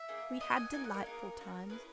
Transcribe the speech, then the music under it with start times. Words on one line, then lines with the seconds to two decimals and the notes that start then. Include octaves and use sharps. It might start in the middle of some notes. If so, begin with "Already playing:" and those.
We had delightful times.
Already playing: E5
0.08 A#3 D#4 G#4
0.40 B3 F#4 D#5
0.51 F#5
0.56 G#5
0.72 A#3 D#4 F#4 G#5
0.84 F#5
0.94 A#4
1.06 A#3 D#4 G#4
1.38 C#4 F#4
1.70 C#4 E4 G#4 B4